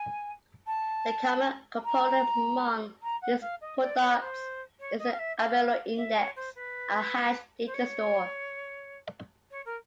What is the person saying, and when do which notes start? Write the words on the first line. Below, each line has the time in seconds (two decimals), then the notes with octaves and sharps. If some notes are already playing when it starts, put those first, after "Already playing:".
The common component among these products is the Albireo index - a hash datastore.
Already playing: G#5
0.67 A5
1.84 A#5
3.02 A#5
3.22 F#5
3.41 F5
3.61 D#5
3.81 D5
4.00 C#5
4.20 C5
4.80 C#5
4.99 D#5
5.12 F5
5.19 E5
5.38 F5
5.96 E5
6.16 C#5
6.36 C5
6.55 B4
7.66 C5
7.74 C#5
9.51 C#5
9.65 A#4